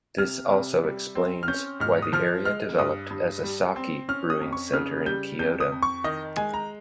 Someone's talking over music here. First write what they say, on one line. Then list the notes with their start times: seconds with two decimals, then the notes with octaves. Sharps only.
This also explains why the area developed as a sake-brewing center in Kyoto.
0.18 C3 F6
0.50 C3
0.84 G3
1.15 C4
1.43 F6
1.48 C#4 G6
1.80 G#2 F6
2.02 D#6
2.13 F3 F6
2.45 G#3 F6
2.79 G2 D#6
3.11 G2
3.44 G3
3.76 C4
4.09 C#4 F6
4.30 D#6
4.41 F2
4.53 C#6
4.73 C#3 F6
5.06 G3 G6
5.39 F2 G6
5.60 D#6
5.72 F2
5.83 C#6
6.04 D#3 D#5
6.37 G#3 G#5
6.54 A#5